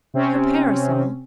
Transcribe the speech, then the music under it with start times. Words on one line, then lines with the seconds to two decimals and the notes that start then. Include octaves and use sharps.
Her parasol?
0.14 C3 C4 C#4